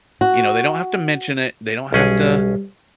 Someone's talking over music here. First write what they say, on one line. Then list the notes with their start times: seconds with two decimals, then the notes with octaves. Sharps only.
you know, they don't have to mention it, they don't have to
0.21 F#4
1.93 B1 G3 C#4 G#4